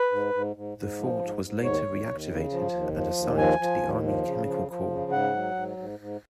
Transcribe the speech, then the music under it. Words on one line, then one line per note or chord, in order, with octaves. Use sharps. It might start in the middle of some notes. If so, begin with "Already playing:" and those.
The Fort was later reactivated and assigned to the Army Chemical Corps.
Already playing: B4
G#2
G#2
G#2
G#2
F3
G#2
G#2
D#2 C#5
D#2
D#2
C#3
F3
D#2
F3
D#2
F3 G#5
F3
D#2
F3
C#3
F3
F3
C#3
G#2 F#5
F#3
G#2
G#2
G#2